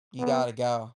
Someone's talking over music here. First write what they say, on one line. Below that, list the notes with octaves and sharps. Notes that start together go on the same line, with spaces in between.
You gotta go.
B3